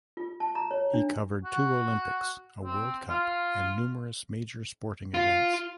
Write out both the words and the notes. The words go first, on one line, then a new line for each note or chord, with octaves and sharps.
He covered two Olympics, a World Cup and numerous major sporting events.
F4
A5
A#5
C#5
D4
F#4
C4
F4
F4